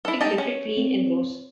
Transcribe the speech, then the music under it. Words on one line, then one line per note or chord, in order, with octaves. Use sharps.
It lifted clean and rose.
E4 A4
D#4 G4 A5
C#4
C4